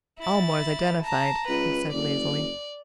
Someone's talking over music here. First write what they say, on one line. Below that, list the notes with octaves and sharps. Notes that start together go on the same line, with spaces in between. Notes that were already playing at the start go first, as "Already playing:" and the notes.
"Aylmore's identified," he said lazily.
E4 A6
A5 A#5
C#2 B4
F#1 D5